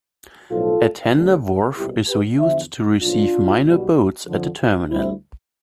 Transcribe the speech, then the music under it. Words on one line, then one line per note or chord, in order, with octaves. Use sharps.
A tender wharf is used to receive minor boats at the terminal.
B1 A2 F3 F4 A4
D2 D3 G3
C2 B2 G3 E4 G4
G4 B4
E2 D3 F3 C5 E5
B1 A2 F3 D4 F4
B1 B2 G3
F2 D3 F3
D2 D3 G3 C4 E4